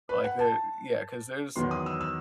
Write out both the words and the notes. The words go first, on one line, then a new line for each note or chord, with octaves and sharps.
Like the Yeah, 'cause there's
B4
F#5
A5
E2 D#3 F#3 B3 C6
D#6
E6
E6